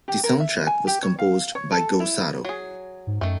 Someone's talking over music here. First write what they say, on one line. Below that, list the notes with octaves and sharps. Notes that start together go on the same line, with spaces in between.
The soundtrack was composed by Go Sato.
G4
A#4
E5
G#5
G4
C#5
F5
C#5
A4
E4
F#3 G#4
G#2
F#2 D#3 A3